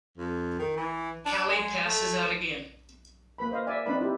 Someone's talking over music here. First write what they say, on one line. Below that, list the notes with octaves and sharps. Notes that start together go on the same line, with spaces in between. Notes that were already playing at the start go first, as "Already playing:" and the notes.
Hallie passes out again.
F2
D#3
E3
D4
G#3
A3
A#3 B4 B5
C5 D#5 F5
D5 E5 G#5
C4 D4 D#4 B4 D5 B5
E4 G4